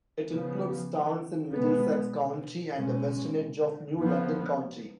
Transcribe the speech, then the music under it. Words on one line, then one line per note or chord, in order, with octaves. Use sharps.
It includes towns in Middlesex County and the western edge of New London County.
C#3 F3 B3
B2 G#3 B3
B2 G#3 C#4
F3 B3